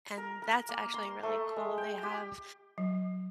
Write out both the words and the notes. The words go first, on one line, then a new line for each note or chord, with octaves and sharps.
and that's actually really cool, they have
A#4
A#4
A#3
C6
A3
G#3
G5
G4
F#3